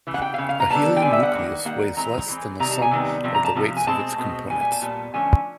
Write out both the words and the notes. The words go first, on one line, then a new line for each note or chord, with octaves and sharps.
A helium nucleus weighs less than the sum of the weights of its components.
C#3 E3
F#5
G5
F5
C#3 E3
F5
A#5
D3 G3 B3 A5
G5
D3 G3 B3 G#5
E5
F#5
D#3 G3 A#3
D#3 G3 A#3 F#5
E3 G#3 C4 A#5
E3 G#3 C4
C3 D#3 G3 B3 A#5
A5
G#5
C3 D#3 G3 B3
C3 F3
A#5
A5
C3 F3
G#5
B2 G#3 C4 A5
B2 G#3 C4
A#2 G3 B3 G#5
G#5
A5
A#2 G3 B3
D3 F3 A3 C#4 G#5